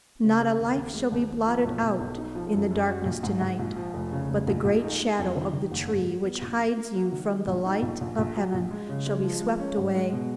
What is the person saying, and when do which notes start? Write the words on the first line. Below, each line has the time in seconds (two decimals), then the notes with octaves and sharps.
Not a life shall be blotted out in the darkness tonight; but the great shadow of the tree which hides you from the light of heaven shall be swept away.
0.24 C#3
0.41 C#3
0.59 D#2
0.76 D#2
0.94 G#3
1.12 D#2
1.30 D#2
1.47 F3
1.65 B1
1.82 B1
2.00 B1
2.18 D#4
2.35 F3
2.53 F#2
2.71 F#2
2.89 F#4
3.05 A#1
3.23 G#2
3.41 G#2
3.59 A#1
3.76 F3
3.94 F1
4.12 C#3
4.29 F1
4.47 A#1
4.64 A#1
4.83 D#4
5.00 G#3
5.18 F2
5.36 D#3
5.53 D#3
5.71 F#1
5.88 G#2
6.07 F#3
6.24 B3
6.42 A#1
6.59 A#3
6.77 A#3
6.95 F#3
7.12 D#3
7.30 G#3
7.47 A#1
7.66 D#4
7.82 A#1
8.01 A#1
8.18 A#1
8.36 F#3
8.54 A#1
8.71 G#3
8.89 C#3
9.06 G#3
9.24 F3
9.41 G#3
9.59 C#4
9.77 G#2
9.95 G#3
10.12 B2